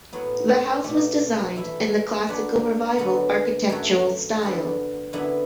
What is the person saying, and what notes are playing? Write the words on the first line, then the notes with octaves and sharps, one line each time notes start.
The house was designed in the Classical Revival architectural style.
A2 F#3 B3
B2 A3 D4
E3 A3 E4
F#3 D4 B4
D3 B3 F#4 A4
F#2 F#3 A3 F#4 A4
D3 B3 F#4 A4
F#2 D3 B3 E4